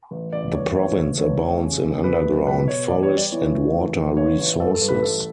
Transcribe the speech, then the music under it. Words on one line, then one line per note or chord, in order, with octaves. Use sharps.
The province abounds in underground, forest and water resources.
A1
A1 D5
G2 C#5
A1 C#5
A1
A1 C#5
A2
C#3
C#3
G1 B4
F#2
B2 B4
B2 C#5
E2 D5
C#5
G3
D5
E3 C#5
A2
A1
A1
A1 C#5
A1
G2 A4
A4
G2
B4
A1 A4